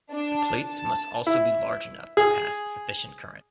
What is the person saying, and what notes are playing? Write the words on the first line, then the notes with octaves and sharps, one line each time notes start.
The plates must also be large enough to pass sufficient current.
D4
A5
E4
G#4